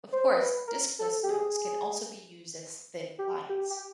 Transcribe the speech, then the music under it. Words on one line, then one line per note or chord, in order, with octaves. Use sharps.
Of course, diskless nodes can also be used as thin clients.
C5
B4
A#4
A4
G4
G#4
G4
G4
G4